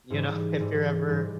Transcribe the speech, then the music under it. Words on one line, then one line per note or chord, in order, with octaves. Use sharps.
you know, if you're ever
G#2 E3 G3
G#2 E3 G3
G#2 E3 G3